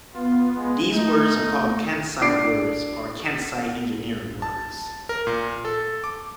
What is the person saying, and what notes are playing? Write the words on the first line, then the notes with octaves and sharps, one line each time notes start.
These words are called "Kansei words" or "Kansei Engineering words".
B3 F4
G#3
A3 D#4
D4 D6 C7 D7
A5
A#4
A#2
A4
D6